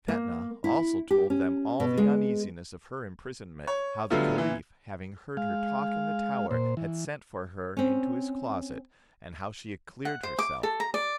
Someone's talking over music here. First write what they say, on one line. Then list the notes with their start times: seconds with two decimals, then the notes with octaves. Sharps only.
Fetnah also told them all the uneasiness of her imprisonment, how the caliph, having heard her talk in the tower, had sent for her into his closet, and how she had cleared herself.
0.08 A#3
0.64 E4
1.11 G4
1.30 C#4
1.80 B2
1.97 G#3
3.67 C#5
4.10 D3 F#3 G3 A3 B3 F4
4.36 A#2 E3
5.37 G#3 F5
6.51 A#2 C5
6.77 E3
7.77 C4 C#4
10.05 F#5
10.23 C5
10.39 D6
10.63 A4
10.80 A#5
10.94 D5